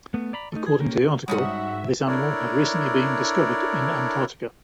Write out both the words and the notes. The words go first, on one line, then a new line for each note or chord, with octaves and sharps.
According to the article, this animal had recently been discovered in Antarctica.
A3 B3
D5 A#5 B5
A3 D#4
G#4
A#3 C#4 G4 A#4
G#2 G3 G#3 C#4 D#4 F#4 E5 F#5
D4 E4 A4 A#4 C#5 D5